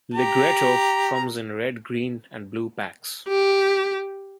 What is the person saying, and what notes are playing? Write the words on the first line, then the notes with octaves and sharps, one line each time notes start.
"Ligretto" comes in red, green, and blue packs.
G4 A#5
G4